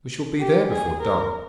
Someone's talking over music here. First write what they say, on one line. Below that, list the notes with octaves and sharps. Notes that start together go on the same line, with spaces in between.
'We shall be there before dark.'
G4
G#4
A#4